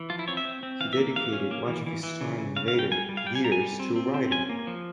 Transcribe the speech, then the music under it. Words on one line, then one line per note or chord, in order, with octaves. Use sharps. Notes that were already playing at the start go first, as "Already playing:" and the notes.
He dedicated much of his time in later years to writing.
Already playing: E3
F3 F4
E4
C4 C#5
E5
C4
C4
E3 F5
E5
A#3
E3 F5
C#4
A#3
E3
E3
E3
C#3
C#3
C#3 F5
F5
C#3 G5
G3 G#5
G3
F5
G3 G5
G#5
G3 A#5
G#5
G3
C4
C4
C4
C#4 G#5
A#3
F3